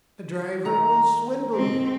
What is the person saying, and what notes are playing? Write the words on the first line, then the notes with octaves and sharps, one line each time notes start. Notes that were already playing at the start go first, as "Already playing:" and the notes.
"The driver will swindle you."
D#3 A#5
G#3 C4